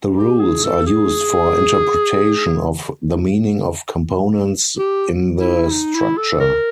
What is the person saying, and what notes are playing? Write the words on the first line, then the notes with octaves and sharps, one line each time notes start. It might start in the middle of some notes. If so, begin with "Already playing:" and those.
The rules are used for interpretation of the meaning of components in the structure.
G4
G#4
A4
G#4
G4
E4
D#4
E4
A4
A#4